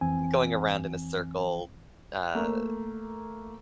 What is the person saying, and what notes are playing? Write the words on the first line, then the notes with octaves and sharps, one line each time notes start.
going around in a circle, uh,
F2 E3 C4 G#5
A3 A#3